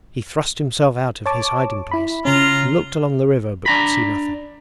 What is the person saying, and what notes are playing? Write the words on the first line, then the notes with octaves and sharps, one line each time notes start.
He thrust himself out of his hiding-place and looked along the river but could see nothing.
C#5 A5 D6
E4 B5
C#3 C#4 F4 A#5
D4 A#5 B5